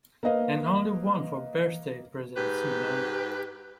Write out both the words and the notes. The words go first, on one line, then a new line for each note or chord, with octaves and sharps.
And only one for birthday presents, you know.
A#3 B4 D#5 F5
G#2 G4 B4